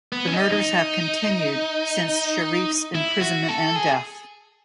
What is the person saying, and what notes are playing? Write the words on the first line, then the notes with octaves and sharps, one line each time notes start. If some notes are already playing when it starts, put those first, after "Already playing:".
The murders have continued since Sharif's imprisonment and death.
B3
C#4
D#4
D#4
E4
F#4
A4
G#4